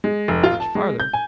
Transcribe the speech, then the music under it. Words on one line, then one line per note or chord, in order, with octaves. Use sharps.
'Much farther!
G#3
F1
F4
A5
G#3
G6
G#5